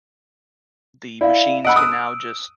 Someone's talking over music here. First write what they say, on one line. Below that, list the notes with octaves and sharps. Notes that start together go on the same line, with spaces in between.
the machines can now just
E4 D5 F5
D#5 F#5 B5 E6 D7
D#6 F#6